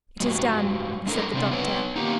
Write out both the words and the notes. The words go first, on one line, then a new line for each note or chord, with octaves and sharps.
"It is done," said the doctor.
G2 B2 F#3 G#3
G#3 D4 A4 A#4
C3 C4 D4
B3 B4 C#5
A#3 D#4 F4 G4